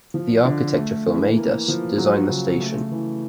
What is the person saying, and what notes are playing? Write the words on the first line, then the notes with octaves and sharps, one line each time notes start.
The architecture firm Aedas designed the station.
F3
D3
A3
E3
A#3
F3
F#3
C#3
A3
E3